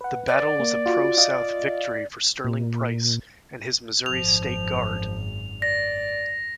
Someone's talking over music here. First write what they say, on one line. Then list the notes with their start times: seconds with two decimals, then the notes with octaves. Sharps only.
The battle was a pro-South victory for Sterling Price and his Missouri State Guard.
0.01 B4 F#5
0.28 D5
0.60 A#3
0.86 F4 F#4
1.18 F4 D#5 F5
2.45 A#2
4.06 G#1 F#2 F3 F7
5.62 D5 A#6